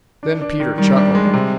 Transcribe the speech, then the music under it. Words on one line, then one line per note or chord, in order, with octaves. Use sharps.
Then Peter chuckled.
D4
D4
D#3
D#3 G3
D4
G#3
C3